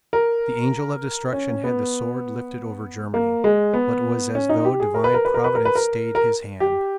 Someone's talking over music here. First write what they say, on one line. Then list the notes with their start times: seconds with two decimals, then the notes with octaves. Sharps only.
The Angel of Destruction had the sword lifted over Germany, but it was as though divine providence stayed his hand.
0.13 A#4
1.33 C#4
1.64 B3
3.14 A#3
3.44 G#3
3.74 B3
4.35 C#4
4.49 D#4
4.65 G4
4.80 G#4
4.94 A#4
5.04 B4
5.14 A#4
5.25 B4
5.34 A#4
5.44 B4
5.55 A#4
5.65 B4
5.75 A#4
6.15 A#4
6.60 G4